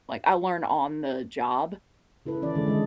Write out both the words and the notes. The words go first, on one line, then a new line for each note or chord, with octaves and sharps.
like I'll learn on the job
C#3 E4 A4 B4
D#3 E3 C#4 D5
D3 G#3 A4
G#3 D#5